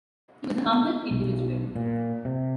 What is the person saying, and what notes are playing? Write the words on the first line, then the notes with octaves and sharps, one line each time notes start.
He was a humble individual.
B1
A#2
C3